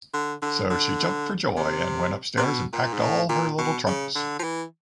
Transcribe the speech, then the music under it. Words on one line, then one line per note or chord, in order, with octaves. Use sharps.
So she jumped for joy; and went upstairs and packed all her little trunks.
D3
D3
D3
C3
C3
B2
A#2
G#2
A2
A#2
B2
C#3
D3
F3
E3